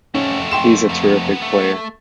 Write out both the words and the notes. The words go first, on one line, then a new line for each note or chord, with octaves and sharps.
He's a terrific player.
F2 A3 C4 C#4 F#4
G5 C6 E7
A#3 B3
A3